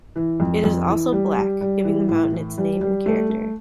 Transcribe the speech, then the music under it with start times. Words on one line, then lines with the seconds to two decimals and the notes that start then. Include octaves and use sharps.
It is also black, giving the mountain its name and character.
0.16 E3
0.40 F2
0.64 F2
0.88 E3
1.12 G3
1.36 G3
1.61 G3
1.85 E3
2.09 A2
2.33 E3
2.58 G3
2.81 G3
3.06 A3
3.30 A3